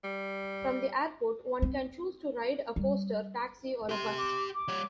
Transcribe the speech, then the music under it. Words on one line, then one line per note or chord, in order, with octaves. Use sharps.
From the airport one can choose to ride a coaster, taxi or a bus.
G3
C4
G3
G4 C6
D6
D6
G3 C#5